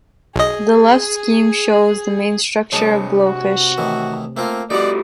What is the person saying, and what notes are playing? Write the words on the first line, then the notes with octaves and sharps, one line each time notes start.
The left scheme show the main structure of Blowfish.
B1 G#4 D#5
C3 G#3 C#5 A5
F#4
A2 D#3 E3
A3 A#3 C4 F4
A3 D#4 F#4 G4 D5 F#5